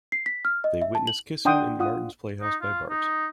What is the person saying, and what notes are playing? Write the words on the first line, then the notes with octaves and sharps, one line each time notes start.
They are witnessed kissing in Martin's playhouse by Bart.
C7
B6
F6
D#5
E5
A5
F#7
D4 F#5 G5 C6 D#6
F4 F#5 D#6
D#4
F4
D#4